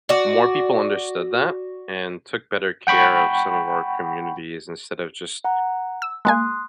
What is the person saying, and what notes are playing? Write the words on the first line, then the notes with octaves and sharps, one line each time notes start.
more people understood that, and took better care of some of our communities instead of just
F#4 D5
F#5 G5 B5 C#6
F#5 A#5
E6
G#3 A#3 G#5 C6 D#6 F#6